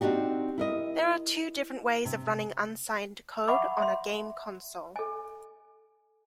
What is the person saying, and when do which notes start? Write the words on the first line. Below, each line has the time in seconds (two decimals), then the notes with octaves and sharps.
There are two different ways of running unsigned code on a game console.
0.01 C4 D4 D#4 F#4 G4
0.58 E4 A#4 D#5
2.05 C3
3.48 E5 F#5 G#5 B5 C#6 D6
3.80 E5 C6
4.96 A4 G#5